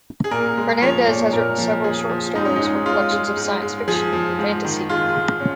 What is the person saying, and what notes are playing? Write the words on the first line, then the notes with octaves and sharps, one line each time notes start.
Hernandez has written several short stories for collections of science fiction and fantasy.
G#4
A#2 A#4
G#3
F3 C#5
A#2
A#2 A#4
F3
F3 G#4
F3
G#2 D#4
C#4
D#4
G#3
G#3 F4
G#3
G#2
G#3
F3 G#4
F3
G#2
D#3
G#3 F4
G#2
C#4